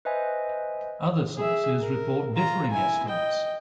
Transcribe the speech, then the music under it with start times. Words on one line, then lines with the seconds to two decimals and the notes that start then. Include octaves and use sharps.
Other sources report differing estimates.
0.05 B4 C5 D#5 E5 G#5
1.37 G#4 E5
1.81 A#4
2.35 F4 A#5
2.71 E4 G#5
3.08 D#5 G5